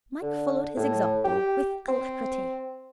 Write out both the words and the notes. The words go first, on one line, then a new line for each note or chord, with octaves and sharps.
Mike followed his example with alacrity.
D3
A2
G4
C4